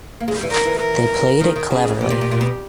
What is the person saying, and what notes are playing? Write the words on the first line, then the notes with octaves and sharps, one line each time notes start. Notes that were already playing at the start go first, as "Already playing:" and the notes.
They played it cleverly.
A#3
G#3
G3
E3
D#3 A#4
E3
A#4
D#3
D#3
C#3 G#4
B2 G4
A#2
A#2
A#2
B2